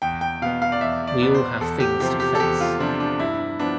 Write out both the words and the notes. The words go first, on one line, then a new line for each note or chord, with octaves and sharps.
We all have things to face.
E2 G5
G5
B2 B3 F5
F5
D5
E2 E5
D5
B2 B3
C5
E2 A4
G4
C3 F3 C4 G4
G4
A4
E2 G4
F4
C3 F3 C4 D4
D4
G2 E4
F3 B3 D4